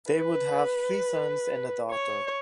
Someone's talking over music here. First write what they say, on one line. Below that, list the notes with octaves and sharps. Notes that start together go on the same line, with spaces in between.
They would have three sons and a daughter.
B4
C#5